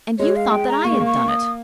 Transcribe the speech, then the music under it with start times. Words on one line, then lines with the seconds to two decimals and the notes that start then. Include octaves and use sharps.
And you thought that I had done it!
0.19 G#3 C#5
0.36 F5
0.52 G#3 G5
0.68 A#5
0.84 A#3 C#6
0.92 G#3
1.00 A#3
1.06 C#6
1.29 D#6